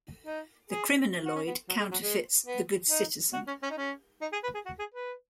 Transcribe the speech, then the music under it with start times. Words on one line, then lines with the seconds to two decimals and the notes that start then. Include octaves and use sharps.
The criminaloid counterfeits the good citizen.
0.26 D#4
0.70 G#4
1.25 F#4
1.35 C#4
1.47 B3
1.69 F#3
1.79 G#3
1.91 F#3
2.02 G#3
2.46 B3
2.90 D#4
3.33 F#4
3.47 C#4
3.62 C#4
3.70 D#4
3.77 C#4
4.21 D#4
4.33 G#4
4.43 B4
4.54 G#4
4.65 F#4
4.79 G#4
4.94 B4